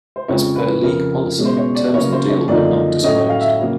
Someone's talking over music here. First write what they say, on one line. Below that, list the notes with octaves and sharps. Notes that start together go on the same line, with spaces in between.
As per league policy, terms of the deal were not disclosed.
C5
F2 C#3 F3 G#3 C4 C#5
B4
F2 C#3 F3 A#4
B2 G#3 C#4
C5
C#5
D5
C#3 F#3 A#3 C#5
C5
C#5
F#2 D3 F3 A#3 D#4 D5
A2 F#3 A3 C#4 D#5
F5
E5
C#3 F#3 A#3